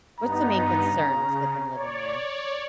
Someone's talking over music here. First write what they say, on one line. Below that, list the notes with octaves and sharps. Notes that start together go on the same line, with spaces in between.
What's the main concerns with them living there?
G2 B3 D#4 A#5
C#3
C#5 D5